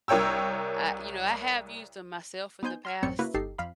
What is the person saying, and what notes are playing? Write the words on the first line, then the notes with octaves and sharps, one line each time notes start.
I you know, I have used them myself in the past
C2 A#4 C#5 G5 E6
B3 D#4 C5 G#5 G6
C6 F6 G#6
A1 F#2 C4 C#5 C#7
C#3 A#3 E4 F#4 B4
G1 D#4 G4 A4 C7
F2 F5 B5